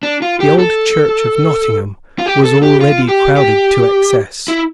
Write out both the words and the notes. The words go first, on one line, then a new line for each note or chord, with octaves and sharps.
The old church of Nottingham was already crowded to excess.
D4
F4
G4
A4
F4
G4
A4
G4
F4
G4
G4
E4